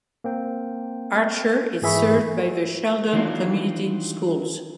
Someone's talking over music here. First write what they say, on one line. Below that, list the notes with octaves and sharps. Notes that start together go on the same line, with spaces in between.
Archer is served by the Sheldon Community Schools.
A#3 C4 G5
G#2 E3 G#4 E5 B5 C#6
D#3 E3 F#3 D4 D#4 F4